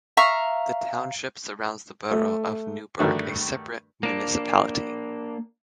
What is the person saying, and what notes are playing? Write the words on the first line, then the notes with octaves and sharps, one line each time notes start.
The township surrounds the borough of Newburg, a separate municipality.
E5 F5 A#5 C#6
A3
G2 D#3 A3 D4 F#4
A#3 D4